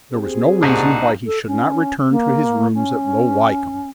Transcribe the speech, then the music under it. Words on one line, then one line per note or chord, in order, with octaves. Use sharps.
There was no reason why he should not return to his rooms at Low Wycombe.
C4 G4 G#4
C2 A#2 D4 D#4 F#4
A4
C#4
A#3
C#4